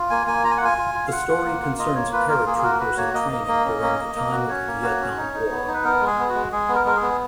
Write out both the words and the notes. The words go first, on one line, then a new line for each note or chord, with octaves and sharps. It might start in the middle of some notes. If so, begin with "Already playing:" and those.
The story concerns paratroopers in training during the time of the Vietnam war.
Already playing: F4
A#3 G#5
A#3 G#5
F4 A#5
G#5
F#5
F4 G#5
F4
F4
F5
F4 F#5
F4
A#3
F4
F4 D#5
A#3 C#5
F4 B4
F4 A#4
A#3 G#4
G#4
F#4 A#4
F#4 B4
A#3 C#5
A#3 D#5
A#3
A#3
C#4
A#3
A#3
A#3
F#4
C#4 C#5
A#3
F#4
C#4
D#4
D#4
B3
D#4
B4
B3 A#4
G#3
G#4
B3
F#4
G#3
G#3 G#4
B3
A#4
G#3 A#4
G#4
B3